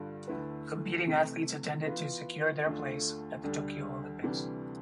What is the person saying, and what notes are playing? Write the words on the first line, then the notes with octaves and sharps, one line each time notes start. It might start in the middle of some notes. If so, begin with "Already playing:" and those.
Competing athletes attended to secure their place at the Tokyo Olympics.
Already playing: G2 D3 G3 D4 F4
D2 D3 A3 E4 B4
C3 E3 A3
E3 B3 F4 B4
D2 D3 A3 D4 F4
D2 D3 G3 D4
D2 C3 E3 G3 D4